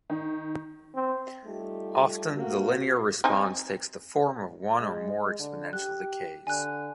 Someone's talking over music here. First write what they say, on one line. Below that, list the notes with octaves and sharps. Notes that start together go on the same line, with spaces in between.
Often the linear response takes the form of one or more exponential decays.
D#3
C4
G3 A3 D#4 F4 G4
A3 A#3 F#4
C4 D#4 G#5
G#3
D3
G4 F#6
D3 G#5 F#6